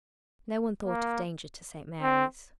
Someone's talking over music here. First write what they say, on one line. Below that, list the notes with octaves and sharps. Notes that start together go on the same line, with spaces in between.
No one thought of danger to St. Mary's.
A#3
C4